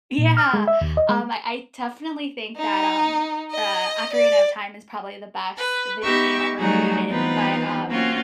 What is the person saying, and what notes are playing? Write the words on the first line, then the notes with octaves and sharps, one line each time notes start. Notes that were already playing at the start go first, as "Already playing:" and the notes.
Yeah. Um, I I definitely think that, um, uh, Ocarina of Time is probably the best video game ever created. But, um,
A#2
F6
G#3
E5
D#2
D#5
G#3
D#4
D#5
D5
B4
B3 D#4 G4 E5 C#6
F#3 G3 A3 D#4 F#4 G#4
E3 B3 C4 D#4 F4 B4
A#3 C4 C#4 F4 F#4